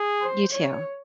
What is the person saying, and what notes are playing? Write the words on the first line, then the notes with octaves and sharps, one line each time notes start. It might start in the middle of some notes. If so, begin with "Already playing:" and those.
You too.
Already playing: G#4
C5
C#5